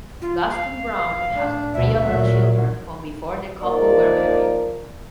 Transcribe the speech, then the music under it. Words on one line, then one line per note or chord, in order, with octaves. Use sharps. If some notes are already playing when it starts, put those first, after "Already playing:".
Gaston Browne has three other children from before the couple were married.
F4
F5
A2 D4
D2 B2 E5
A#2 F#3
F3 A#3 D#4 A#4 D5